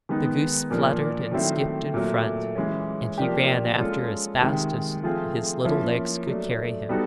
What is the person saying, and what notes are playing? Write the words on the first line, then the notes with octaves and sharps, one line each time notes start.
The goose fluttered and skipped in front, and he ran after as fast as his little legs could carry him.
D#3 G#3 B3 D#4
A#2 F3 A#3 D4
D#3 F#3 A3 C4 E4
A#2 F#3 A3
E3 G#3 C#4
F3 A#3 D4 G4
G#3 C#4 F4 A4
C3 D#3 G#3
F3 A3 C4 F4 G#4
F3 A#3 C#4 E4
F#3 A3 D4
G3 B3 D#4 F#4 A4